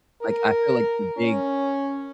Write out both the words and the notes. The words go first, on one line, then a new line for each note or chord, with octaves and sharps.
like, I feel like the big
A#4
C#4